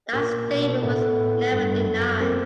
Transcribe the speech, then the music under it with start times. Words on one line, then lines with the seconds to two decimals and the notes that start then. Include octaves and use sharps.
That statement was never denied.
0.13 A#2 A#3
0.48 B2
0.82 A2 A3 B3
1.17 A2
1.51 G2
1.85 F#2
2.20 A#3 C4